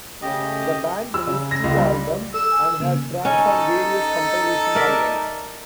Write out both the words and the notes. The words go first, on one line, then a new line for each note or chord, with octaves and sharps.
The band released two albums and had tracks on various compilation albums.
C#3 A3 G4 D#5
E6
C#3
A#6
C#2
G3
A4 E6
G#5
C#3 A#3
C#4 D#4 A4
A#4 D5 E5